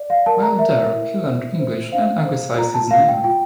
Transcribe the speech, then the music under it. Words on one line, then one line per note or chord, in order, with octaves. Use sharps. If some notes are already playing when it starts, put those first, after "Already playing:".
While there, he learned English and anglicized his name.
Already playing: D5
F5
A#4 A5
A#5
A#4 E5
E4
C5
C5
C5 F5
C5
F4 A#5
A5
F4 F5
G5
F4 G5